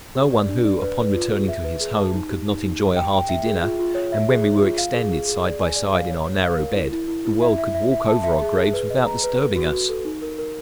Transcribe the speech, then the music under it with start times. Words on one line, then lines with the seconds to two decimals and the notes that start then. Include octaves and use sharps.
No one who, upon returning to his home, could not enjoy a hearty dinner; and when we were extended side by side in our narrow bed, the world could walk over our graves without disturbing us.
0.15 G4
0.32 D5
0.49 D4
0.65 D5
0.82 B4
0.98 B4
1.15 F4
1.31 G#4
1.48 E5
1.64 B4
1.81 G#4
1.98 A5
2.14 D#4
2.30 G4
2.47 D#4
2.63 D#4
2.80 G4
2.97 G5
3.13 G5
3.29 E5
3.45 G#4
3.62 F4
3.79 F4
3.95 C#5
4.12 E5
4.29 G#4
4.44 G#4
4.62 F4
4.78 F5
4.94 G#4
5.11 G#4
5.27 G#4
5.44 D5
5.60 G#5
5.76 D5
5.93 F5
6.09 C#5
6.27 C#5
6.43 F5
6.59 A#4
6.75 E4
6.92 E4
7.08 E4
7.25 E4
7.42 E5
7.58 E5
7.75 E5
7.91 E5
8.08 A5
8.24 E5
8.41 G#4
8.57 G#4
8.73 B4
8.90 D#5
9.06 A#5
9.24 B4
9.40 A4
9.56 F#4
9.72 F#4
9.89 A4
10.05 D#4
10.22 A#4
10.38 A#4